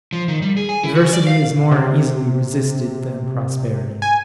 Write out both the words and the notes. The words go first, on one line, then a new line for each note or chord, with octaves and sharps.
Adversity is more easily resisted than prosperity.
F3
D#3
G3
G#4
G#5
E4
F#4
D5
F5
C3
G#5